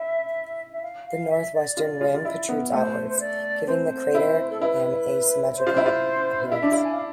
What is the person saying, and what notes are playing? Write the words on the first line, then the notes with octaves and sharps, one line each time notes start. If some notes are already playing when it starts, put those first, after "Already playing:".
The northwestern rim protrudes outwards, giving the crater an asymmetrical appearance.
Already playing: E4 E5
E5
F5
F5
E5
D5
F4
F4
F4
E4
B3
A3 C5
C5
D5
C4 C5
E4
A4
E4 B4
D5
C5
F4
E4
F4
E4 E5
D4
E4 F5
G#5
F5